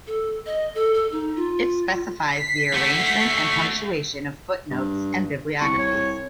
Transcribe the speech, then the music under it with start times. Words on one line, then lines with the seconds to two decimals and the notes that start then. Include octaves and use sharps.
It specifies the arrangement and punctuation of footnotes and bibliographies.
0.07 A4
0.46 D#5
0.75 A4
0.94 A4
1.12 D#4
1.36 F4
2.30 B6 C7
2.74 A3 F#4
4.71 G2
5.61 C2 C#6
5.79 C#5